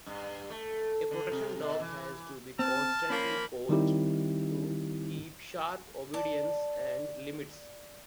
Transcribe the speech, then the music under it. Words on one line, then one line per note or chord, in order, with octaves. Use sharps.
A protection dog has to be constantly coached to keep sharp obedience and limits.
G2
A3
D3
C3
B2
E3
C4 A5 F6
F3 A#3 C#4 B5
D#3 G3 C4 D#4 E4 G4
D5 A5